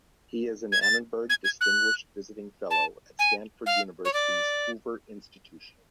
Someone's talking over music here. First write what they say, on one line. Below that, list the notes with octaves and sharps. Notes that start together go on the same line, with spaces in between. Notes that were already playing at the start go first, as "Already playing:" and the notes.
He is an Annenberg Distinguished Visiting Fellow at Stanford University's Hoover Institution.
G#6
A6
G#6
G#6
F#6
A5
G#5
F5
C#5
D5